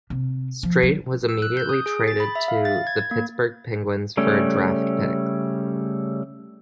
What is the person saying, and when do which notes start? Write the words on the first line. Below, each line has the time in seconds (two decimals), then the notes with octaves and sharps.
Streit was immediately traded to the Pittsburgh Penguins for a draft pick.
0.10 C3
0.63 F3
0.83 F#3
1.29 E6
1.42 F#6
1.57 G6
1.69 D#6
1.86 G#4
2.08 A6
2.20 B5
2.35 E5
2.48 F5
2.65 A6
2.87 G#6
3.11 A#3
4.17 C#3 G3 A3 C#4